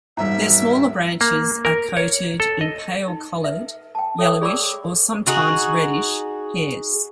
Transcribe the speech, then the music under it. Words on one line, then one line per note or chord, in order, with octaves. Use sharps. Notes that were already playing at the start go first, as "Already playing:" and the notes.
Their smaller branches are coated in pale-colored, yellowish, or sometimes reddish hairs.
E1 G#2 G3 E5 A#5
A#3
A#4
C#5
A4
D#5
D#4
B4 E5
G5 A5
A4 C#5 E5 G5 D#6
G#4 D5 B5 C#6 D6 E6
D#4 F#4 G#4